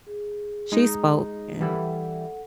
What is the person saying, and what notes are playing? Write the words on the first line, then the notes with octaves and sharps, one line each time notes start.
she spoke and
G#4
G#3 D#4
E3 G3 E4 A4 F#5